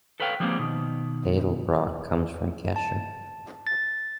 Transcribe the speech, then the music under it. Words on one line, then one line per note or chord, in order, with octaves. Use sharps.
Edelbrock comes from Gescher.
A4 B4 C#5 F5 G5
F3 G3 G#3 A#3 C4
B2 D#3
A5
A6